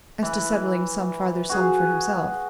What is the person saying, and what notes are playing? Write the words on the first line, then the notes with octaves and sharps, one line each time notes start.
"As to settling some farther sum for himself."
E3 E4
F#4 G#4 F5